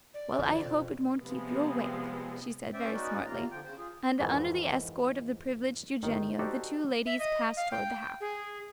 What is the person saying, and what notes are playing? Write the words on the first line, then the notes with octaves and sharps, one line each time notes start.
"Well, I hope it won't keep you awake!" she said very smartly; and, under the escort of the privileged Eugenio, the two ladies passed toward the house.
D5
D1 F2 C3 E3
B2
C3 F3 G3 G#3 B3 C4
G2 C#4 C5 D5 E5 G5
G#3 B3 C#4 D#4 F#4 D5
E2 C3 A#3 F4 A#5
D3 F3 F4 G5
C#3 C5
F4 G#4
F2 G#2 D#3 E3
G1 D#3
D#4 F#4 G4 A4 C5 D5
E5
D#5
F5
G5
G#4